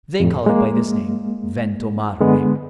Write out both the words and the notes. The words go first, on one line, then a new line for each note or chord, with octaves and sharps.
They call it by this name--Ventomarme.
F2 A2
G#3 A#3
D3 G#3 B3